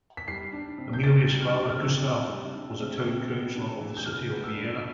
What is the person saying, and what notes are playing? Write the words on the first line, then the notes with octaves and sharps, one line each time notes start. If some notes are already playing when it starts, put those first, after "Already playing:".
Emilia's father, Gustav, was a town councillor of the city of Vienna.
B6
G3 C7
D4
C3
G6
C3 A6
G3
F6
D4
F6
C3 E6
C3
G3
D4
C3
C3
B3
D4
E3
G6
E3 F6
B3
E6
D4